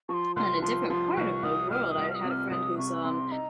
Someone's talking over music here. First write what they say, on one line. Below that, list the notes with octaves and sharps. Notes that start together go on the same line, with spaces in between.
on a different part of the world. I had a friend who's, um,
F3 C6 C#6
C2 C6
F3 C6
F3 C6
C2 C#6
C2 D#6
C2 F6
D#6
C2
F6
D#6
C3
F6
C2 D#6
C3 C#6
C3 C6
D#4 A#5